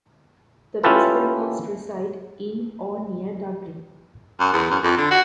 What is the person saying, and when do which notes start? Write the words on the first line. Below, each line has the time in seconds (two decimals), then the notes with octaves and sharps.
The president must reside in or near Dublin.
0.83 C#4 E4 F4 G4 A4 B4
4.39 F#2
4.53 E2
4.70 F#2
4.83 F2
4.97 D3
5.11 F#4